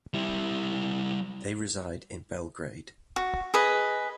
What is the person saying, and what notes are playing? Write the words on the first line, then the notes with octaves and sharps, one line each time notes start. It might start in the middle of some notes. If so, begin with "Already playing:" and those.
They reside in Belgrade.
G3 E4
F#4
G#4 B4 D#5